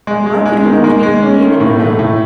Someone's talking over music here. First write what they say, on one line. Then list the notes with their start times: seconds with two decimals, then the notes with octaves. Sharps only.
Why could he not be happy in it now?
0.07 G#3
0.26 G#3
0.46 G#3
0.65 D#3
0.84 G#3
1.03 G#3
1.22 C#4
1.42 D#3
1.60 A2
1.80 A3
1.99 A2